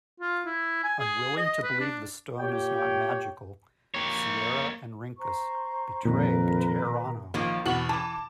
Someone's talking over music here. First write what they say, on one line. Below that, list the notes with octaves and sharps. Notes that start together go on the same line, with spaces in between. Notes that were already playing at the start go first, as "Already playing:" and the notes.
Unwilling to believe the Stone is not magical, Sierra and Rinkus betray Pterano.
F4
E4
G#5
G#4
D#5
B4
D4
A#2 G4 C#5 G5
A#3 C#5
C5 A#5 C#6
F2 A#2 D#3 A#4 B4 A#5
A#1 D#3 F3 A#3
E2 B2 B3 F#4 F#7
E3 A5 D6